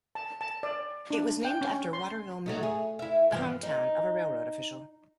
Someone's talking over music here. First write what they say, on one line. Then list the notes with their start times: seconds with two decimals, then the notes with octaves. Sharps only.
It was named after Waterville, Maine, the hometown of a railroad official.
0.15 A5
0.41 A5
0.63 D5
1.10 D4
1.45 G5
1.61 C#4
1.93 C6
2.46 F#3 A3 D#4
2.63 G#4
2.99 E4 E5
3.31 G2 E3 F3
3.63 D#4